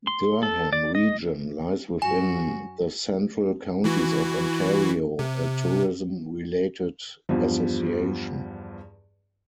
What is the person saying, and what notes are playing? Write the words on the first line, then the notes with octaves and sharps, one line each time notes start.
Durham Region lies within the Central Counties of Ontario, a tourism-related association.
C6
A4
D5
D#5
F#2 F#4 G#5
E3 E4 F#4
C3
E2 G2 F3